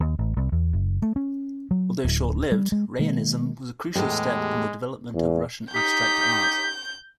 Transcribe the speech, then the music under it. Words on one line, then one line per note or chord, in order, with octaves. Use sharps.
Although short-lived, Rayonism was a crucial step in the development of Russian abstract art.
D#2
A1
C2
E2
F#1
A3
C#4
F#3
D1
G3
G#3
B2 D#3 G#3 A#3
E2 A2 G#3 G4
E2
D#4 G4 G6 B6